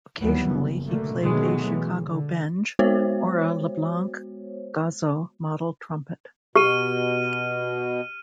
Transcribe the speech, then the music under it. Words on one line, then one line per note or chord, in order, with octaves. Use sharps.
Occasionally, he played a Chicago Benge or a LeBlanc Gozzo model trumpet.
D#2 E3 F#3 G3 B3
F#1
B2 D3 A3 A#3
B2 D#3 F#3 G#3 A3 B3
E3
D3
G#3 B3 F#4 C5 C#5
B2 G4 F6 D#7